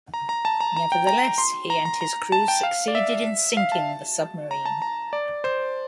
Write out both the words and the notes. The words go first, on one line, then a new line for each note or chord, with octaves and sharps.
Nevertheless he and his crew succeeded in sinking the submarine.
A#5
A#5
A5
A#5
A#5
G5
A#5
C6
A#5
A#5
A#5
A5
G5
F5
D5
E5
F5
A5
A#5
A5
A#5
D5
C5